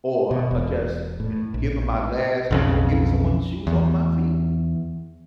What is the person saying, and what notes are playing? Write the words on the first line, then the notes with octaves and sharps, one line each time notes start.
or, uh, just, you know, giving my last or giving someone shoes off my feet.
B2
E1
A2
A#1
B1 F2 C#3
E2